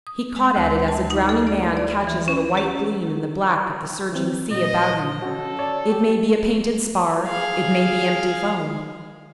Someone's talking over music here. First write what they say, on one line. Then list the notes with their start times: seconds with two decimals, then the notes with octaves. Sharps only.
He caught at it as a drowning man catches at a white gleam in the black of the surging sea about him--it may be a painted spar, it may be empty foam.
0.07 D#6
0.36 G#3
0.56 D2
0.88 A5
1.10 D#4
1.29 A4
1.47 D5
1.77 D5
2.07 E3
2.28 C#4
2.57 G4
4.12 E3 C4
4.51 A#2 F#3 D#5
5.22 C#4 F#4 A4
5.59 C#5 D5 A5
5.92 G4
7.26 G#4 F5